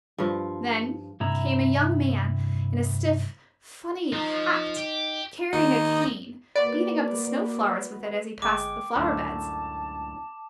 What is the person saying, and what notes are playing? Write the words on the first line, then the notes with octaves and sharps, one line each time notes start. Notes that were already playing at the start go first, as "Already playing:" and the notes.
Then came a young man in a stiff, funny hat, carrying a cane, beating up the snow flowers with it as he passed the flower beds.
G2 F3
G2 C3 E4 A#5
F3 D#4
G4
D#2 D#4 D#5
A#3 F#4 B4 D5
G1 G#3 G5 D6
C#2 F#2 A2 D3 A5